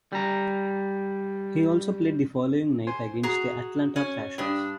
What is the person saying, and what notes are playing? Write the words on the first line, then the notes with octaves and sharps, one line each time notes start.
He also played the following night against the Atlanta Thrashers.
G3 A#5
C5 G#5 C6
F#4 G#4 A#5
C#4
G2 D4 G4 D#6